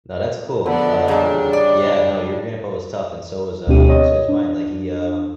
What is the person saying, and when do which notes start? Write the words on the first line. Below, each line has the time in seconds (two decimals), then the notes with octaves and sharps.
No, that's cool, um, yeah no, your grandpa was tough and so was, uh so was mine, like, he, um
0.66 D3 F3 B3 D5 B5
1.08 A#2 C#3 G3 D4 A5
1.53 D5
3.67 D2 B2 C4 D4 G4 D#7
3.89 C#5 D#5
4.29 D4